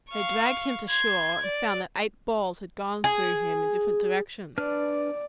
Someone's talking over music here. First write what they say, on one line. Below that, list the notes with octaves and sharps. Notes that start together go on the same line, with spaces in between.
They dragged him to shore, and found that eight balls had gone through him in different directions.
F5 C#6
C6 G#6
D5
G#4
D4 B4 D5 F6